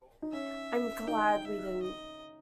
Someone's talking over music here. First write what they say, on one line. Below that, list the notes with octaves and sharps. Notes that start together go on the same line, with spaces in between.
I'm glad we didn't.
D#4
C#4 E5
D#4 G5
E5
D#5